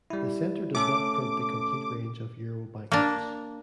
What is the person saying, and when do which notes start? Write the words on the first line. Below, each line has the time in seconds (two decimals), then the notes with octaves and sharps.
The centre does not print the complete range of euro banknotes.
0.10 G3 E4
0.75 A3 C#4 A4 D6
2.92 A#3 D4